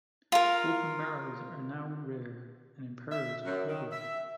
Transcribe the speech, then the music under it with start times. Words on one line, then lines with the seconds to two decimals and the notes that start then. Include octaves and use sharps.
Open barrens are now rare and imperiled globally.
0.32 F4 A#4
3.10 E5
3.44 F#2
3.66 D#3
3.91 E5